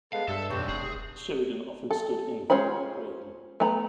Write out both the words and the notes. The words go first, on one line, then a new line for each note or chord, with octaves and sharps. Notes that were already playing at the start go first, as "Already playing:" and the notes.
Sheridan often stood in for Mike Graham.
G#3 B3 A4 F5
G2 G3 A4 E5
B1 F2 C4 D4 G4 C#5
F1 G#4
A4
G#3 C#4 F4 C5 B5
A3 B3 A#5 B5